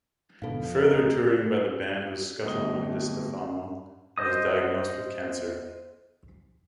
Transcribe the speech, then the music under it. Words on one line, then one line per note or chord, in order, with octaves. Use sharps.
Further touring by the band was scuttled when DiStefano was diagnosed with cancer.
G#2 B2 D3 A4 F5
F2
A#4 D#5 A#5
D1 G#4 D#6
D1 G1 D#5 D#6 G7
C5 D#5 D#6